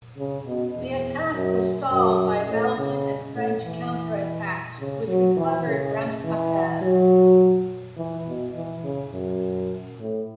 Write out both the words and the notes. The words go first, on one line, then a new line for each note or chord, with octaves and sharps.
The attack was stalled by Belgian and French counter-attacks which recovered Ramskapelle.
C#3
B2
E2
F#2
F#2
A2
C#3
A2
E3
C#3
F#3
E3
C#3
E3
F#3
E3
B2
E3
C#3
F#2
A2